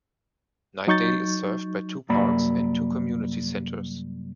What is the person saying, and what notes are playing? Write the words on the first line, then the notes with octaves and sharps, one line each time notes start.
Knightdale is served by two parks and two community centers.
F#3 D#4 C#6 G6 A6
C2 F#2 A#3 D5 B5